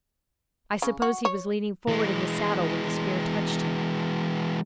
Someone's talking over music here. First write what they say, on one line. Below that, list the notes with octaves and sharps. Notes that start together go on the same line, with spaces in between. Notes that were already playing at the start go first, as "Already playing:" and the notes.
I suppose he was leaning forward in the saddle when the spear touched him.
C#3
F#4
C#5
E3 G#3